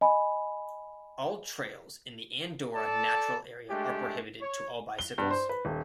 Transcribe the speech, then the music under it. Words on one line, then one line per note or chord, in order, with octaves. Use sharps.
All trails in the Andorra Natural Area are prohibited to all bicycles.
D#5 G#5 B5
A4 D5 A5
G#3 A3 D4 G4
C#5
G7
G2
C5
B4
D#1